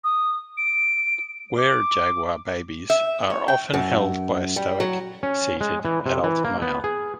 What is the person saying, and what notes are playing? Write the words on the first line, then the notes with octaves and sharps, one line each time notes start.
Were-jaguar babies are often held by a stoic, seated adult male.
D#6
D7
D6
E5
C#5
G5
F#2
G3
F#3
C#4
G#3
E3
C3
E3
A#3
B3
G#4